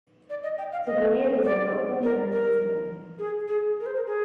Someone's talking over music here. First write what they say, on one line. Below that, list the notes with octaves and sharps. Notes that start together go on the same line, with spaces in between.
Today it is an open-air museum.
D5
D#5
G5
F5
D#5
D5
A#4
A#4
G#4
G#4
A#4
C5
A#4
G#4